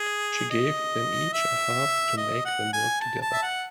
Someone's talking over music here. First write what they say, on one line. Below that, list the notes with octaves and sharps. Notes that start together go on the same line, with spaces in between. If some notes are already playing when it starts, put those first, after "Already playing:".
She gave them each a half to make them work together.
Already playing: G#4
D#5
E5
D#5
F#5
G#5
A5
A5
E5
F#5